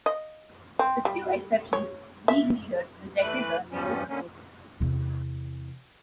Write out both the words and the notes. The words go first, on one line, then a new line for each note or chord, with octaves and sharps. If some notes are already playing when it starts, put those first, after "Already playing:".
With few exceptions League leaders rejected the Nehru proposals.
D#5
C4
G3
C#5
E5
E3 A3 B4 F#6
E2 G2 F3 G3 C#4
D3 A#3 C#4
E2 C3